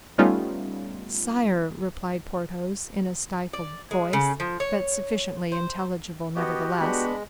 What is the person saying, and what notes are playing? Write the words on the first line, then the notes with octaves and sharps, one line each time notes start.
"Sire," replied Porthos, in a stifled voice, but sufficiently intelligible, nevertheless.
G3 A3 B3 C#4 D#4 F4
D5
G#3
C#3
F3
C#5
C5
B3 F#4 G4 D#5
G#3 B3 D4 B5